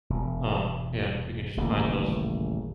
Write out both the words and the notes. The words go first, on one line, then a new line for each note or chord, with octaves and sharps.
um, yeah, and if we can just find those,
E1
D#1 A1 C#3 A#3